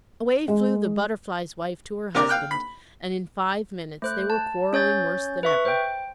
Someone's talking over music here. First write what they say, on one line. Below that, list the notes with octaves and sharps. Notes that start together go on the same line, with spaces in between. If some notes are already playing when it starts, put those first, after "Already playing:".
Away flew the Butterfly's Wife to her husband, and in five minutes they were quarrelling worse than ever.
G#3
C3 A#4 D5 D6
F5 G5 F#6
B5
A3 C5 F#6
A5
C#4 C#5 G6 A6
B4 E5 C#6
C5 G5